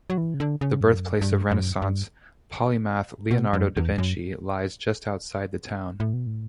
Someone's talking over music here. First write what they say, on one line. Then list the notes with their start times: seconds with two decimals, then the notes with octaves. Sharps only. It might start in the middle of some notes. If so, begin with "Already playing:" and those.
The birthplace of Renaissance polymath Leonardo da Vinci lies just outside the town.
0.10 F#3
0.18 E3
0.34 C#3
0.40 D3
0.61 C#3
0.81 G2
0.91 F#2
1.21 G2
1.51 F#2
1.82 G2
3.31 B2
3.53 F#2
3.77 E2
3.98 F#2
6.00 A2
6.14 B2
6.27 A2